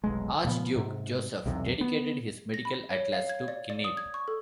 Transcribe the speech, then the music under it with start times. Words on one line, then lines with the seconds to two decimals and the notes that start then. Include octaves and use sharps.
Archduke Josef dedicated his medical atlas to Kneipp.
0.04 F1 B1 G#3
0.44 A#2 C#3 F3 B3
0.76 G#2 C3
1.46 B1 E2 C3
1.81 B3
2.54 A#6
2.65 B5
2.91 C#5
3.13 F5
3.29 G#6
3.48 D5
3.70 D5
3.84 D#6
3.97 G#6
4.14 C#6
4.28 A4